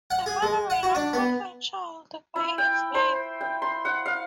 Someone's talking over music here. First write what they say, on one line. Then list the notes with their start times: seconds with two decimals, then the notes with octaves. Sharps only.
The mother may not call her child by its name.
0.11 F#5
0.26 G#4
0.42 G#3
0.70 F#5
0.83 F#4
0.95 D4
1.13 B3
2.36 E4
2.58 G5
2.95 C5
3.41 G5
3.62 C6
3.85 F#5
4.06 F5